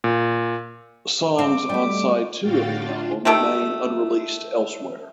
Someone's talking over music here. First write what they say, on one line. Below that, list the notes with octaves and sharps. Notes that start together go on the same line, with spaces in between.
Songs on side two of the album remain unreleased elsewhere.
A#2
C4 F5 D6
G3 A3
A2 D3 F#4 F5 G5 A6
D4 F4
D#3 A3 G4 A4